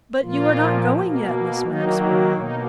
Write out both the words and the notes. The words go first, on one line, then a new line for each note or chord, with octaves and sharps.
But you are not going yet, Miss Maxwell?
A#2 F3 A#3 F4
B2 A#3
D#3 F#3 A#3 D#4
B2 A#3 D#4